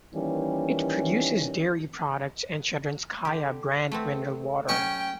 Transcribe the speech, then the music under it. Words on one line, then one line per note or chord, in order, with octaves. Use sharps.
It produces dairy products and "Shadrinskaya" brand mineral water.
D#3 E3 G3 A#3 C#4
D3 G4
A3 B3 C4
F#3 C#4 G5 C#6